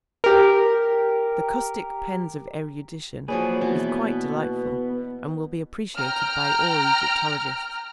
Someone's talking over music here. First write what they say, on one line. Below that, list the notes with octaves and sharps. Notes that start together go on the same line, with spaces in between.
'The caustic pens of erudition' is quite delightful and will be appreciated by all Egyptologists.
G4 A#4
F3 F#3 A#3 B3 G#4 B4 D5
B2 E3 B3
G5 A#5 F6